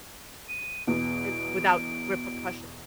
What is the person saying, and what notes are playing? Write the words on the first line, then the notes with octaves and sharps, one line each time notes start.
uh, without repercussion
D#7
E2 B2 D7